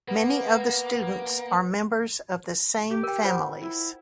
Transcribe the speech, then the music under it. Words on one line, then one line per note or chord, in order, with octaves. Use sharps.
Many of the students are members of the same families.
A#3 B3
G4
A#4 G5
F4 C5 F#5
E4